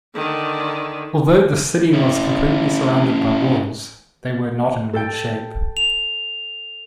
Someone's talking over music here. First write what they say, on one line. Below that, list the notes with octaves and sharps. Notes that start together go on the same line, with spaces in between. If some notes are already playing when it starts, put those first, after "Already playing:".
Although the city was completely surrounded by walls, they were not in good shape.
D3 D#3
C#4 E4
A4 G5
F7